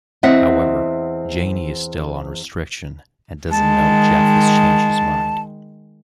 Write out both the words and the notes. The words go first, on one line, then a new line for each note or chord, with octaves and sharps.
However, Janey is still on restriction and doesn't know Jeff has changed his mind.
E2 C4 D#5 E5 F#5
D#3 G#3 A5